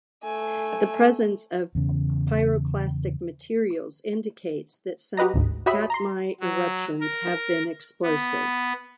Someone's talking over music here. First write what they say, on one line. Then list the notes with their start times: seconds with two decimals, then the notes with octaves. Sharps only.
The presence of pyroclastic materials indicates that some Katmai eruptions have been explosive.
0.24 A3 G#5
1.75 E2 C#3
5.17 F#4 G4 B4 D#5 A#5
5.34 G1 D2 G#2
5.66 F#4 G4 C#5 E5 B5 D#6
5.90 A#5 C6
6.40 F#3
7.01 A#4
8.03 B3